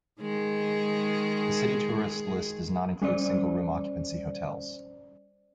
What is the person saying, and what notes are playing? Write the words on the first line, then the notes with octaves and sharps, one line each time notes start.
The city tourist list does not include single room occupancy hotels.
D#3 G#3 G#4
G3 C#4 C5 D5